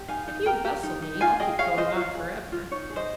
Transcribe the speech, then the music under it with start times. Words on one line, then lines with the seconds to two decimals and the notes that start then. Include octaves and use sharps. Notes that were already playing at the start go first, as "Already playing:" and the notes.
If you bustle me, I'll keep going on for ever.
Already playing: G4
0.08 D#4 F5 G#5
0.27 D#4
0.46 A#4 G5 A#5
0.65 G4
0.83 D#4
1.02 D#4
1.21 F4 F5 G#5
1.40 G#4 D#5 G5
1.59 G#4 C#5 F5
1.77 F4 C5 D#5
1.96 F4 C#5 F5
2.15 G#4
2.34 G#4
2.52 F4
2.71 D#4 C#5
2.90 G#4
2.96 C5 D#5